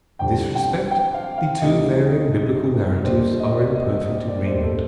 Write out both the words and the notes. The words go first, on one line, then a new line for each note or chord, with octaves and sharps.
In this respect the two variant Biblical narratives are in perfect agreement.
F2 D3 G3 G5
G5
G5
F5
F5
D2 C3 D#3 G3 D#5
D#2 D3 G3 A#3 D4 C5
D#5
D5
D#5
D#5
D#5
D5
A2 G3 A#3 C5
A4